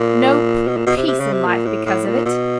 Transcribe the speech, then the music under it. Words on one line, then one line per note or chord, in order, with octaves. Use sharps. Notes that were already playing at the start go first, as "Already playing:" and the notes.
No p--peace in life because of it.
Already playing: A#2
B2
A#2
B2
C3
C3
C#3
C3
A#2
A2
A2
A#2
B2